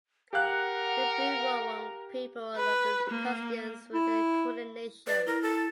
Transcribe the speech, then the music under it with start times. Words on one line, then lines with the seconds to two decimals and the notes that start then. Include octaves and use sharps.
The Boon Wurrung people are local custodians within the Kulin nation.
0.33 G4 A#4 F5 F#5 F#6
2.56 B4
3.10 A#3
3.94 E4
5.07 B4 D5
5.27 E4 A#4
5.42 A4